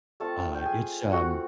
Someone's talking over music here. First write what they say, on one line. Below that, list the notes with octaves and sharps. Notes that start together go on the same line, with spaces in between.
uh, it's um,
A3 C4 F4 A4 A5
G5
G#4 G#5
A3 C4 F4 F#4 F#5